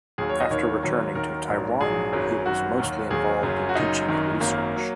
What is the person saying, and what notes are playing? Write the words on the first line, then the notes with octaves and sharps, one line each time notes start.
After returning to Taiwan, he was mostly involved in teaching and research.
D#2 D#3 F#3 G#4
C#5
D#5
D#2 D#3 F#3 C#5
D#2 D#3 F#3
D#2 D#3 F#3 A#4
A#1 G#2 F#3
A#1 G#2 F#3 G#4
G#1 F#2 F#3
G#1 F#2 F#3 F#4
D#2 D#3 F#3
D#2 D#3 F#3 G#4
F#1 F#2 F#3
F#4
F#1 F#2 F#3 D#4
G#1 F#2 D#3 F#3
G#1 F#2 D#3 F#3 A#3
F#3